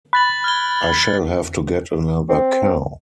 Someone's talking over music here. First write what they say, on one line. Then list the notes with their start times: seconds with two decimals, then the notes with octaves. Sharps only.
I shall have to get another cow!
0.13 B5 F#6 A6 F#7
0.44 F6 G#6 G7
2.29 C4